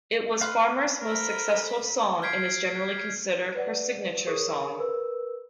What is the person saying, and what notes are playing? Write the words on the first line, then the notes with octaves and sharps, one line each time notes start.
It was Farmer's most successful song and is generally considered her signature song.
B4 F5 C6
A4 A#4 C5 B5
F6 G6 G#6 B6 C7 D7
B4 D5 F#5
G#4 A#4 C#5 C#6 D#6
A#4 B4 E6